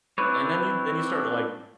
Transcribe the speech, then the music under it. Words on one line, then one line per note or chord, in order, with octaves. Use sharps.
And then you then you start, like,
C4 D4 E4 B4 C#5